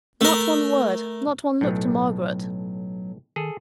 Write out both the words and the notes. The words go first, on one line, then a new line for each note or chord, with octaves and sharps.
Not one word: not one look to Margaret.
A3 A#4
B1 A2 F#3
D#3 G#4 A4